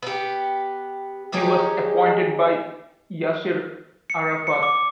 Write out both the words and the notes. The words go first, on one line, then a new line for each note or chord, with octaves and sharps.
He was appointed by Yasser Arafat.
B3 G4
C#4 D#4 G4 G#4
C#7
C#7
D6